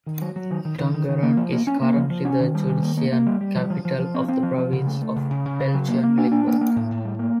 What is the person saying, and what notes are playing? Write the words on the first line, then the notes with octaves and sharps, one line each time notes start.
Tongeren is currently the judicial capital of the province of Belgian Limburg.
D#3
F#3
F#3
D#3
D#3
D#3
D#3
D#3
A#3
F3
A#3
C#4
A#3
F3
F3
C#4
D#3
G3
D#3
A#3
A#3
A#3
G3
G3
F3
F3
F3
F3
C4
C4
F3
F3
C#3
A3
A3
C#3
C#3
C#3
C#3
F#3
A#3
A#3
D4
D4
A#3
A#3
A2
A2
G3
A#3